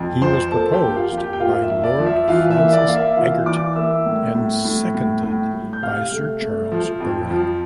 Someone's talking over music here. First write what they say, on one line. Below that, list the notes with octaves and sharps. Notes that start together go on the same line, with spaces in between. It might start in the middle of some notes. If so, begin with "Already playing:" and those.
He was proposed by Lord Francis Egerton and seconded by Sir Charles Burrell.
Already playing: F2
F3 C5 C6
A#3 A4 A5
G4 G5
A#3
G5
F4 F5
F2
G4 G5
G5
A#3 F4 F5
E5
F2
D5
F3
E5
E3 F4 F5
E5
A#3
D5
A#3 F5
E5
E3 F4 F5
E3 D5 D6
A#3 E5 E6
A2
A2
A2
A2
A2
A2
G6
C3 F5 F6
A3
A3
F3
F2
F3